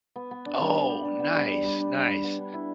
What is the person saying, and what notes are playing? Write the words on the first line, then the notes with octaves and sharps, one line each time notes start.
Oh, nice, nice.
B3
B3
D4
G3
B3
G3
D4
B3
G3
D4
G3
D4
G3
G3
B3
D4
E4